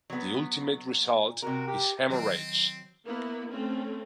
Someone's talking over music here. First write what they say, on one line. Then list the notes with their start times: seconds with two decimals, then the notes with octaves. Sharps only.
The ultimate result is hemorrhage.
0.10 F#3 B3
1.29 A#2
1.42 C3 F#4 A#4
1.68 G4
2.10 D#3 F#3 C4
3.04 A#3 B3 E4
3.49 A3 C4 C#4